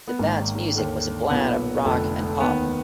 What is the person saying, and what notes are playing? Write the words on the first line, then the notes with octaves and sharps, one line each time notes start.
The band's music was a blend of rock and pop.
B3
G#1 G#2 D#3 A#3
D#2 D3
B1 A#2 B3
F1 F2 D3
D#2 D#3 B3